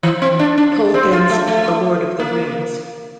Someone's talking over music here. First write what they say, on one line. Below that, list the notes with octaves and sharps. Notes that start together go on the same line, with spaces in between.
Tolkien's The Lord of the Rings.
E3
C4
D4
D4
C4
F4
A3
A3
A#3